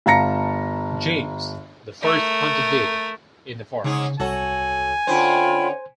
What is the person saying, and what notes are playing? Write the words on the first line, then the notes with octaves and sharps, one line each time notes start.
James the First hunted deer in the forest.
G1 F5 A5 A#5 A#6 C#7
A3 A#4
G#2 C#3 C#4 G#4
C2 F#4 A4 C#5 G#5
D3 C#4 F4 C5 G5 B5